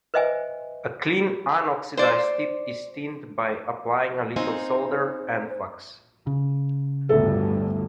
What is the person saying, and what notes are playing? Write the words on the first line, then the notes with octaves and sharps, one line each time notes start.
A clean unoxidised tip is tinned by applying a little solder and flux.
B4 C5 D#5 E5 G5 G#5
C5 D5
C4 D#4 C5 C#5 F5 G#5
C#3
G1 D2 A2 A4 E5